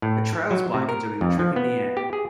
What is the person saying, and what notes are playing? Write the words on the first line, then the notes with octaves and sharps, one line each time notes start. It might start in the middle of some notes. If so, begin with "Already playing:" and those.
A trials biker doing a trick in the air.
A2
F#3
C3
A#4
F2
F3
B3
G4
G#4